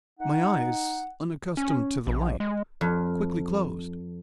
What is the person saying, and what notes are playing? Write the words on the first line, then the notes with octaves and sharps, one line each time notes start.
My eyes, unaccustomed to the light, quickly closed.
D#4 F#5
C#4
A#1
G#3
F2